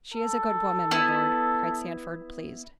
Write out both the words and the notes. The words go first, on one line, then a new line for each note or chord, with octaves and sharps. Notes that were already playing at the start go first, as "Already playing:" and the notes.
"She is a good woman, my Lord," cried Sandford, pleased.
A4
B3 E4